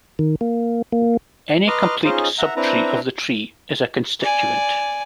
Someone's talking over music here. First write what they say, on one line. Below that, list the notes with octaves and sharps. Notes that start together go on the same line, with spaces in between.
Any complete sub-tree of the tree is a constituent.
D#3
A#3
A#3
B4 D#5 A#5 C6 D6 F6
C#4 D#4 F4 G#4 C5 D#5
E5 F#5 A#5
C4 D4 E4 B4 A#5
D5 G#5